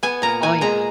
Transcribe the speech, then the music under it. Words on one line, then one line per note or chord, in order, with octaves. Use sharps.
Oh, yeah.
B3 G#5
A#2 A#5
A#2 G#5
G#3 A#5